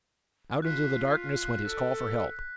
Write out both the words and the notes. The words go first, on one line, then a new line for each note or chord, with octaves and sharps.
Out into the darkness went his call for help.
F4 F#6 B6
A4